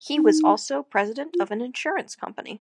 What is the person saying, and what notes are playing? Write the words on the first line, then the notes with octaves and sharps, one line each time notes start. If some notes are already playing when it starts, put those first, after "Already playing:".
He was also president of an insurance company.
D#4
F4